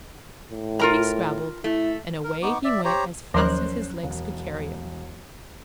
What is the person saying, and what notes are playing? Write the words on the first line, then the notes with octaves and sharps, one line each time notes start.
Up he scrambled, and away he went as fast as his legs could carry him.
A2
F4 A#4 A#5
A3 E4
A#4
B3 D#4 C#6 D6
D5 E5
G4 C5 C#5 A#5
D#2 F3 F#3 C#4 A#4 C5 F#6
E1